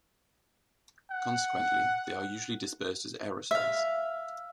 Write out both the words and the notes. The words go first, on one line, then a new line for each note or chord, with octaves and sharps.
Consequently, they are usually dispersed as aerosols.
F#5
E5 F5